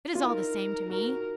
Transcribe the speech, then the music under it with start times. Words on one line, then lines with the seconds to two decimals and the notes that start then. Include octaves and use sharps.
It is all the same to me.
0.15 F4
0.24 D#4 A#4
0.90 F#4 A#4